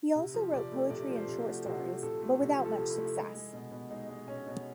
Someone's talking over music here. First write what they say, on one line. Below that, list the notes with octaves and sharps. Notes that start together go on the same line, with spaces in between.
He also wrote poetry and short stories, but without much success.
C3
F3
C3 D5
A3
C3 D5
F3
C5
C3
F#4
A3
C3 F#4
F3
C3 A4
A3
C3
F3
A4
C3
E4
A3
G#3
G#3
B2
B2
G#3 D#4
G#3
B2 C#4
B2